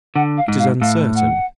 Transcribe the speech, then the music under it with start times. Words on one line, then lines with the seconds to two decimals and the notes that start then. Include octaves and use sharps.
It is uncertain.
0.15 D3 F#5
0.37 F5
0.48 G#2
0.59 F5
0.81 A2 F5
1.15 F#5